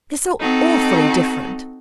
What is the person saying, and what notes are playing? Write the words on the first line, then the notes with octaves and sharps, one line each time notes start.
They're so awfully different!'
C4 D#4 F#4 A4